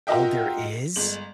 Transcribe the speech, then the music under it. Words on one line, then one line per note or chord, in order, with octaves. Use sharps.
Oh, there is?
F4 F#4 A#4 D#5 E5 G5
G1 G#3 F#7